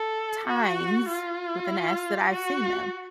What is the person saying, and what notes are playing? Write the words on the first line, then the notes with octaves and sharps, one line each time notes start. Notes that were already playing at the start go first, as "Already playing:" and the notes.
times with an S, that I've seen them.
Already playing: A4
F#4
F4
F#4